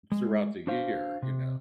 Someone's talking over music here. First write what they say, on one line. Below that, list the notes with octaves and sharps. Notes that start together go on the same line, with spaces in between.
throughout the year, you know?
G#3
D4 F#4 C5 F5
C3